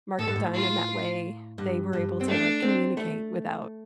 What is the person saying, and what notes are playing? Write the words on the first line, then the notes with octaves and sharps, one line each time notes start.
mark it done, and that way, they were able to, like, communicate without
A2 A4
G2
A2
F4
G2
G2
C4
A3 D4
C4
A3